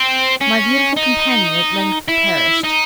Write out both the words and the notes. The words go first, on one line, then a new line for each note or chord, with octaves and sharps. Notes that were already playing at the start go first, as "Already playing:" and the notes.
My beautiful companion at length perished.
Already playing: C4
C#4
D#4
E4
D#4